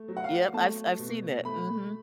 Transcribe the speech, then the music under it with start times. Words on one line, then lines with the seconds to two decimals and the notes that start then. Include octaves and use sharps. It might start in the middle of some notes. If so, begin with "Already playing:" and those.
Yep, I've I've seen that, mhm.
Already playing: A3
0.08 F#3
0.17 F#5
0.24 F5
0.54 A3 A5
0.99 B2
1.45 A3 B5